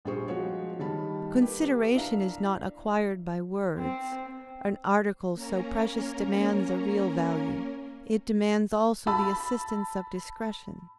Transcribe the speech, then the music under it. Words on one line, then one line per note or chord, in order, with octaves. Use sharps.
Consideration is not acquired by words; an article so precious demands a real value; it demands also the assistance of discretion.
A#1 G3 C#4 G#4 C5 C#6
F3 G#3 F#4 C#5
D#3 G3 A5 B5
A#3 G4 B4
D4 E4 E5 F5 A#5
C4
A#3 C#4 A#4
A5 B5 E6